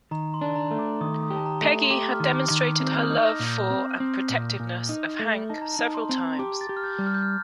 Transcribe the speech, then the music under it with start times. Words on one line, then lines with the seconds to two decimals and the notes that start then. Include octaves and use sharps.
Peggy has demonstrated her love for and protectiveness of Hank several times.
0.11 D#3 A#5
0.34 C6
0.41 D4
0.56 A#5
0.71 A3
0.79 D6
1.01 D#3 D#6
1.23 D#6
1.30 G4
1.36 A5
1.46 A#5
1.61 A3
1.84 C6
1.91 G4 D6
2.13 F6
2.20 D#3
2.35 D6
2.50 D#3
2.80 C4
2.87 G6
2.94 F6
3.03 D#6
3.10 D#4
3.26 A#6
3.40 A#2
3.48 G6
3.70 C4
4.00 C4
4.30 A#2
4.60 A#2
4.89 D#4
5.19 A3
5.50 D#4 A5
5.62 A#5
5.74 A5
5.79 D#4
5.95 C6
6.09 C4
6.39 G4 D6
6.61 A6
6.69 G4
6.77 F6
6.84 G6
6.99 G3
7.07 F6
7.15 G6
7.22 F6